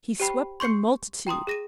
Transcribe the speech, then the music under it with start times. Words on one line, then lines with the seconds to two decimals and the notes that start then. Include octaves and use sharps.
He swept the multitude.
0.20 G4 C5 G5 B5 C7
0.60 C6 C#6 G6 C7 C#7
1.27 G5 A#5 C6 D#6
1.47 G#4 A#6 D#7